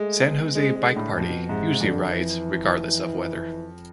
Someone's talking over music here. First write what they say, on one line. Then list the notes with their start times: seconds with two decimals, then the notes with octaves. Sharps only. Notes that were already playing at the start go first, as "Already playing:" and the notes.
San Jose Bike Party usually rides regardless of weather.
Already playing: G#3 A3
0.24 B3
0.55 G#3 C4
0.76 G#3
0.86 D3
0.96 A2
1.17 F2 B2
1.49 G#2 C3
1.80 F2 D3
2.12 E3